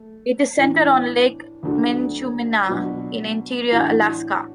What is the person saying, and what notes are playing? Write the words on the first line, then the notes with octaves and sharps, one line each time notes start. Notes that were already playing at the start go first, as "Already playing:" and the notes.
It is centered on Lake Minchumina in Interior Alaska.
Already playing: A3
A2 E3 D4
D2 D3 A3 D4 F#4
B2 F#3 D4 F#4
A2 E3 D4 F#4